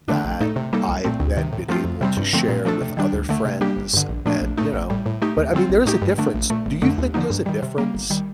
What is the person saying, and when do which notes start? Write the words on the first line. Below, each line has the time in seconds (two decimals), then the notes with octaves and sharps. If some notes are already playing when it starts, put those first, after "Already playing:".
that I've then been able to share with other friends and, you know but, I mean, there's a difference. Do you think there's a difference
0.08 D3 A3 D4
0.25 A#1
0.41 A2 A3 D#4 A4
0.56 C3
0.73 G3 A#3 D#4 A4
0.89 C2
1.05 A#2 A3 C4
1.20 D2
1.37 C3 D#3
1.53 A2
1.69 F3 A3 C4 F4
1.84 F2
2.01 C3 G3 C4
2.17 G2
2.33 D3 F3 A3 C4
2.49 A#2
2.65 F3 A3 D4 A4
2.81 C3
2.97 D#3 G3 D4
3.13 D2
3.29 D3 A3
3.45 C3
3.61 G3 A#3 D4 G4
3.77 G1
3.93 G2 D3
4.09 A#1
4.26 A#2 F3 A3 D4
4.41 A#1
4.57 A2 A3 D#4
4.73 A1
4.90 A2 G3
5.06 A2
5.22 A3 D#4 G4
5.37 D#2
5.53 D3 G3 C4 F4
5.70 A#1
5.85 A2 A3 D#4 G4
6.02 G2
6.18 D3 A3 D4
6.34 A#1
6.50 A#2 A3
6.66 G1
6.82 F2 D3 A3 D4
6.98 D#2
7.14 D3 F3 A#3 D#4
7.30 G2
7.46 D#3 G3
7.62 C3
7.78 G3 A#3
7.95 G1
8.10 D#3 G3